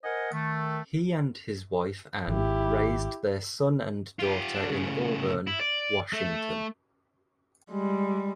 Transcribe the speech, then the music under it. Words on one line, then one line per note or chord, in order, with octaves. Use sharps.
He and his wife Ann raised their son and daughter in Auburn, Washington.
A#4 C5 D#5 F#5 G#5
D#3 A3
G#1 E4 G4
F4 G4
F#3 D4
A2 C#3
E4
D5
A3
G3 G#3